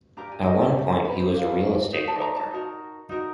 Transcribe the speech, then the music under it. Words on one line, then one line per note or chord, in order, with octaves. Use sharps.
At one point, he was a real-estate broker.
D4 G4 A#4 A#5
G#5
D#5
D5
D4 G4 A#4 C#5
C5
B4
C5
D4 G4 A#4 F5
D#4 F#4
A5
A#5
A5
D#4 F#4 A#4
D#4 F#4 A#4